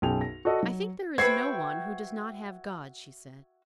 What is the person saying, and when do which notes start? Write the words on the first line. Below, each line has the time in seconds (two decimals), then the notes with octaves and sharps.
"I think there is no one who does not have God," she said.
0.02 B1 F#2 G#4 G5 F7
0.21 A#6
0.45 F#4 A4 D5 D#5
0.63 F#3
1.18 F#4 B4 C5 E5 G5 G#6 C7